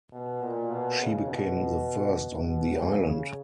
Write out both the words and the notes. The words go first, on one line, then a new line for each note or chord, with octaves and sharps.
She became the first on the island.
B2
A#2
B2
C#3
B2
B2
C#3
C#3